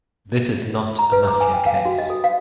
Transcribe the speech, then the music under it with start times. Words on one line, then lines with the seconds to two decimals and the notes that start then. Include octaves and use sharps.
This is not a Mafia case.
0.99 A#5
1.12 B4
1.27 D6
1.41 G#5
1.54 G5
1.66 F5
1.85 F#4
1.98 D#5
2.10 A4
2.24 F5